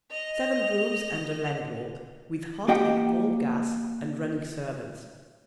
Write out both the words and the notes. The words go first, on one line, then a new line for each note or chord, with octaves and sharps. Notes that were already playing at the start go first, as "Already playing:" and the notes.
Seven rooms and a landlord, with hot and cold gas and running servants.
D#5 F7
A#3 G4 D#5 F#5 G5